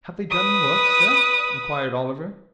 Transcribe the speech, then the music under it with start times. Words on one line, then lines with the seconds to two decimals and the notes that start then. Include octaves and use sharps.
'Have they done work, sir?' inquired Oliver.
0.31 B4 D#6